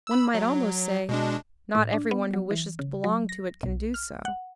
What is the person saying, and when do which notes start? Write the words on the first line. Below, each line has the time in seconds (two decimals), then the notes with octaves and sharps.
One might almost say: Not every one who wishes to belong to it can do so.
0.07 B5 E6
0.34 F#3
1.09 B2 G#3 D4
1.75 A2
1.93 D4
2.11 B3
2.33 F#3
2.51 E3
2.79 C#3
3.04 F#3
3.29 A#6
3.63 B1
3.94 F6
4.25 F#5